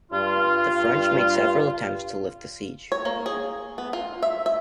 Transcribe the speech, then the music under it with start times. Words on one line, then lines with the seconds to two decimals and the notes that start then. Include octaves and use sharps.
The French made several attempts to lift the siege.
0.11 G2 F4
2.92 C#5
3.05 A#3
3.26 G#4
3.78 B3
3.93 F4
4.23 E5
4.46 E5